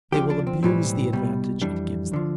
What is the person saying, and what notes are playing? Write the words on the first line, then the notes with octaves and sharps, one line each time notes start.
They will abuse the advantage it gives them.
D2 D3 F3 G4
D4
C4
B1 A2 E3 G3 C4
C2 B2 G3
F2 E3 G3 D4
D2 D3 F3